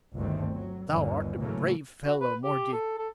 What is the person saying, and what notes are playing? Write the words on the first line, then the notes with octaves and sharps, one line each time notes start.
Thou art a brave fellow, mordioux!
G1 D2 D3 D#3 A3 C4
F#3
G1 D#2 D3
A2 C#3 E3 F#3 A3 A#3
F#4
B4
G4
A4
A4